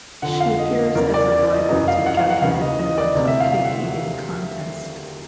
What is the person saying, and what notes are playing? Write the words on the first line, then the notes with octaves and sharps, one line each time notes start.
She appears as a rival to Jughead in the cupcake-eating contest.
F2 D3 F#5
F5
D#5
E2 C#3 E3 A#4
D5
D5
D#5
F#2 C#3 E3 D#5
F5
F#5
F5
F#5
D#2 C#3 E3 F5
D#5
D#5
D5
D2 C3 E3
E5
F5
F5
F#5